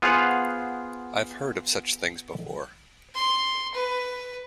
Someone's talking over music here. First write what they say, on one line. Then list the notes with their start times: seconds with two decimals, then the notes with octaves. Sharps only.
I've heard of such things before.
0.02 B3 F4 G#4 C5 F5 F#5
3.15 C6
3.74 B4